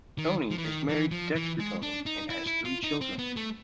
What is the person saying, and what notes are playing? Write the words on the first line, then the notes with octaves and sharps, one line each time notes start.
Toney is married to Dexter Toney and has three children.
D#3
F3
E3
D#3
E3
F3
E3
G#3
D4
D#4
E4
E4
F4
D#4
C4
B3
A3